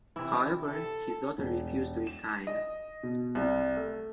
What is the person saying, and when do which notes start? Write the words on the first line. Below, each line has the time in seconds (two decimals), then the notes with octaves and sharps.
However, his daughter refused to resign.
0.16 C3 E3 E4
0.65 A4
1.38 E1
2.07 E7
2.47 D#5
3.03 B2
3.35 C2
3.76 A3